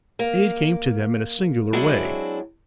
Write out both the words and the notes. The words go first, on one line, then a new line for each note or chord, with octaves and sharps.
Aid came to them in a singular way.
A#3
F#3 G#3 C4 D4 E4 F#4